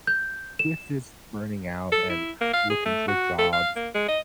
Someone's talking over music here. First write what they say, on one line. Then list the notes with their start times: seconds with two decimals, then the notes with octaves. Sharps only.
with this burning out and looking for jobs,
0.07 G6
0.59 E7
1.92 A4
2.10 E4
2.41 A#3
2.53 F5
2.70 G#4
2.85 A3
3.08 F#4
3.39 A4
3.53 F5
3.76 A#3
3.95 G#3
4.08 D#5